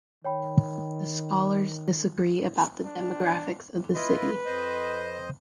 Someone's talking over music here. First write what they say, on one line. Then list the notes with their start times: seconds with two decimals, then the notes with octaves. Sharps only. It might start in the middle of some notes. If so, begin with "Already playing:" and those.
The scholars disagree about the demographics of the city.
0.24 D#3 C#5 G5 B5
2.85 D4
3.95 E4 F4 B4 D#5
4.46 F2 C5 D#5